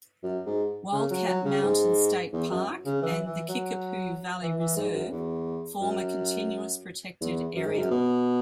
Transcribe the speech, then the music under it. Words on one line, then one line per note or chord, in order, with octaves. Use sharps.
Wildcat Mountain State Park and the Kickapoo Valley Reserve form a continuous protected area.
F#2
G#2
C#3
F#3
F#3
C#3
G#2
E2
F#2
C#3
E3
E3
F#3
E3
E3
G#2
F#2
E2
F#2
E2
F#2
G#2
F#2
B2